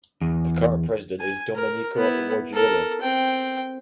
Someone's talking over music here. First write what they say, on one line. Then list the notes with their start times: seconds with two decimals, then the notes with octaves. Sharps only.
The current President is Domenico Ruggiero.
0.21 E2
1.20 G#5
1.55 A#4
1.96 B3 E4
2.53 A4 A#4
3.01 C4 G5